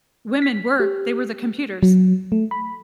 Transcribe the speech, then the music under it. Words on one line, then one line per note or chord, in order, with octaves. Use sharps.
women were they were the computers,
B6
G4
F#3
A3
B5